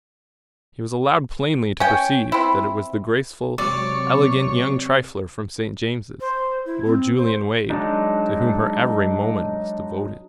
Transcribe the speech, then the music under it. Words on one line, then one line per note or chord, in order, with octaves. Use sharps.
He was allowed plainly to perceive that it was the graceful, elegant young trifler from St. James's, Lord Julian Wade, to whom her every moment was devoted.
C#4 G5
C4 E4
C3 F#3 G#3 C#5 D5
C5
E4
C4
C5
F#3 G#3 D4 D#4